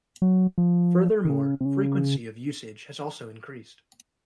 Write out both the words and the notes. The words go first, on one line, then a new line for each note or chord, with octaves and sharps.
Furthermore, frequency of usage has also increased.
F#3
F3
D#3
C#3
C3
C#3